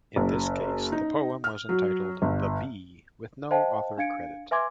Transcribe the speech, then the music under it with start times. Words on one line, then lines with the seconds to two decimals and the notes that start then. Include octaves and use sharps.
In this case, the poem was entitled "The Bee" with no author credit.
0.16 F#1
0.92 D#4
1.44 F6
1.69 F#3
2.22 G1
3.51 C5 D#5 F5 G5 A5
3.98 D4 F5 G#6 C#7 D7
4.51 B4 E5 G#5 C6 D6 G#6